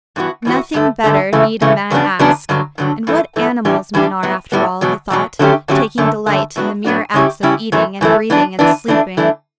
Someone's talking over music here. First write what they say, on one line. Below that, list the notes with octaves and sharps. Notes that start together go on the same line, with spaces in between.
Nothing better need a man ask; and what animals men are, after all, he thought, taking delight in the mere acts of eating and breathing and sleeping.
G2 E3 B3 F#4
G2 E3 B3 F#4
G2 D3 A3
G2 D3 A3
C#3 E3 A3
C#3 E3 A3
E2 C#3 F#3 B3 D4
E2 C#3 F#3 B3 D4
G2 D3 F#3
G2 D3 F#3
G2 E3 A3
G2 E3 A3
A2 E3 G3 D4 G4
A2 E3 G3 D4 G4
A2 G3 B3
A2 G3 B3
E2 B2 F#3
E2 B2 F#3
D3 F#3 A3 C#4 G4
D3 F#3 A3 C#4 G4
F#2 D3 A3
F#2 D3 A3
A2 F#3 B3 D4 F#4
A2 F#3 B3 D4 F#4
C#3 G3 C#4 E4 G4
C#3 G3 C#4 E4 G4
F#2 E3 A3
F#2 E3 A3
E3 B3 D4
E3 B3 D4
E3 A3 D4
E3 A3 D4